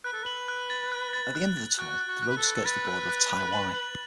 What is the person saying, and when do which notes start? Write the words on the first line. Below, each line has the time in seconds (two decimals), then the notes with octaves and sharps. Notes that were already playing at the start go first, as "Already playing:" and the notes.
At the end of the tunnel, the road skirts the border of Tai Wai.
0.04 B4 F#6
0.13 A4
0.24 B4 F#7
0.48 F#6
0.70 A6
0.92 F#6
1.13 A6
1.35 F#6
1.57 A6
1.79 F#4 F#6
2.01 F#6
2.08 F#4
2.22 F#6
2.29 B4
2.37 A4
2.44 F#6
2.55 A4
2.65 B4 A6
2.88 F#6
3.09 F#6
3.31 F#6
3.52 F#7
3.75 F#7